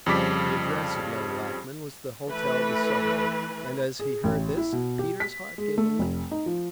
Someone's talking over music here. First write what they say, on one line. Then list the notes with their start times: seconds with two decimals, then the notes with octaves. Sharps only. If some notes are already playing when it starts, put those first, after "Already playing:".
The address of young Lackman was the Hotel de Soto; and as he heard this, Peter's heart gave a leap.
0.06 F2 C#3 F3 G3 D6 B6
2.26 E3 A3 B4
3.99 G#4
4.24 A1
4.57 E4
4.73 B2
4.99 G4
5.20 B6
5.58 G#3
5.78 A3
5.99 F1
6.31 D#4
6.46 F3